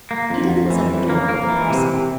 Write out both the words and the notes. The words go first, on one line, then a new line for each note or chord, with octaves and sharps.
Edith was at the door-with a parcel.
A#3
F2
F2
E3
F2
A#3
A#3
E3
C3
C3